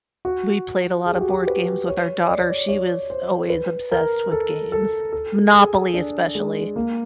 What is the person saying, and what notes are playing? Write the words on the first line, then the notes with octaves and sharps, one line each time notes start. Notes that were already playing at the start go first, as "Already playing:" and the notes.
we played a lotta board games with our daughter, she was always obsessed with games. Monopoly, especially.
F#4
G#4
G4
F#4
G4
B4
C#5
D5
C#5
D5
C#5
C5
B4
A#4
A4
A4
A4
G#4
D4
G#3
A#3